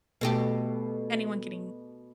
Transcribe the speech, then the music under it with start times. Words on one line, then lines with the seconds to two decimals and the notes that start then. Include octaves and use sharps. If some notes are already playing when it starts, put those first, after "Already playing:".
anyone getting
0.21 B2 A3 G4